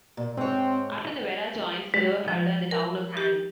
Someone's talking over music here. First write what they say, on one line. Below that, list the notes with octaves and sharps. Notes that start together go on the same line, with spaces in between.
After the Werra joins the river Fulda in the town of Hann.
A#2
G#2 C4 C#5
G#3
F3
A#4
G4